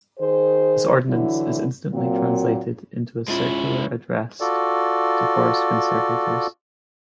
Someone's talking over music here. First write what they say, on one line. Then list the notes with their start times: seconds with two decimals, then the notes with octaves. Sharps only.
This ordinance is instantly translated into a circular addressed to forest conservators.
0.20 D#3 G#4 C5
1.10 D3 E3 F#3 E4
1.92 A#2 F#3 A#3 C4
3.28 G#3 C#4 E4 F4
4.40 F4 F#4 A4 D5